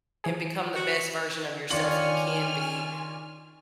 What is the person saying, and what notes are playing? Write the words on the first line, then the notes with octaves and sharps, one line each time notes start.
and become the best version of yourself you can be
E3 G#4
F#4 B6 D7
D#3 D4 F4 C#5 D5 G#5 F6 F#7